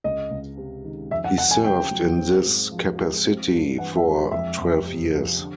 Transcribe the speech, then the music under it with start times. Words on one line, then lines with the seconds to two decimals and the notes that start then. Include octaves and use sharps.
He served in this capacity for twelve years.
0.04 C#2 D#5
0.31 C#2
0.57 C3
0.84 D#3
1.11 F2 E5
1.24 F#5
1.38 F2 F#5
1.51 G#5
1.65 C#3 G5
1.91 F#3
2.18 C4
2.45 G#2
2.72 F3
2.98 G#3
3.25 C4
3.52 G2
3.78 E3 F#5
3.96 E5
4.05 G#3
4.31 F2 E5
4.58 F2
4.85 C3
5.12 F3
5.39 D3